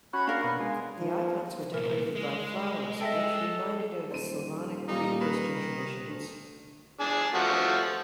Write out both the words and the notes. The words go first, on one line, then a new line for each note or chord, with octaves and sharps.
The icons were decorated by flowers which reminded of Slavonic pre-Christian traditions.
C#4 F#4 B5
D4 A#4 F5
B2 F5
G#3
F3
C2 A#2 A#4
G#3
A4 D#5 E5 G5
D#1 C5 D#7
A#2 G3 A#3 D#4
D#3 B4
D2
D4 G#4
F3 A3 F#4